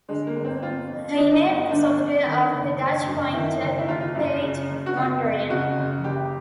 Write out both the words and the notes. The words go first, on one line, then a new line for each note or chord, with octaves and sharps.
He named the software after the Dutch painter Piet Mondrian.
D3 G#3
A#3
G1
C4
G1 F4
F2
D3 D#4
D4
D#4
G1
G1 D4
F2
D#3
F#1
F#1
F#2
D#3 E4
F#1
E4
F#1 F4
F4
F#2 E4
C#3
F#1
F#4
F#1 F4
F2
C#3 F#4
F#1
F#1 G4